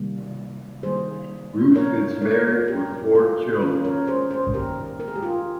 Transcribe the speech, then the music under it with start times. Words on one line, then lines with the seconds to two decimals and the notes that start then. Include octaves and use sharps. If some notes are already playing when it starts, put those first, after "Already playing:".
Ruth is married with four children.
Already playing: C3 D#3 G3 A#3
0.83 D#3 G3 A#3 G#4 C5
1.76 A#2 F3 A#3 A#4 C#5
2.21 A#4 C#5
2.68 A#2 G3 A#3 G4 A#4
3.15 F4 G#4
3.60 D#3 A#3 C#4 F4
3.84 A#4 C#5
4.07 G#4 C5
4.31 G#4 C5
4.54 D#3 A#3 G4 A#4
5.00 A#4
5.08 G#4
5.16 G4
5.23 F4 G#4